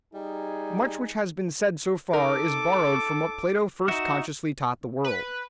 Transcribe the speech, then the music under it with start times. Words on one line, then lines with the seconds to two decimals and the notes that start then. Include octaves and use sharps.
Much which has been said so far is borrowed from what Plato first consciously taught the world.
0.14 G3 D#4 G#4
2.13 D#4 A4 A#4 D6
3.88 D#4 F#4 E5
5.04 B4